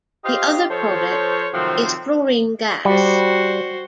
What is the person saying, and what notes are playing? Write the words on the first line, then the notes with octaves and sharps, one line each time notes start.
The other product is chlorine gas.
F4 G4 C5 D#5 F5
F3 A4 C5 C#5
C3 D#3 F3 F#3 A3 C4
G3 F#4 C5